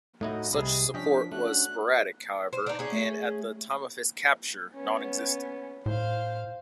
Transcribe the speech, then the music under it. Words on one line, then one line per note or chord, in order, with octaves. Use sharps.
Such support was sporadic, however, and, at the time of his capture, non-existent.
A2 A3 D#4 E4 F#4 D#5
C2 C3 G#4 B5
F3 C#4 D4 D#5 G5 B6
A3 C#4 D4 F#4 F#6
C5
D4 D#4
C#4 G#4
A3
B3 C#4
A2 C5 F5